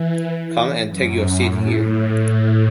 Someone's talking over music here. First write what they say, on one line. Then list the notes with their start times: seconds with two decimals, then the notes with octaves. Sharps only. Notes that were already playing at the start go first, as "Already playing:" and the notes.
Come and take your seat here.
Already playing: E3
0.87 F#2
1.45 A2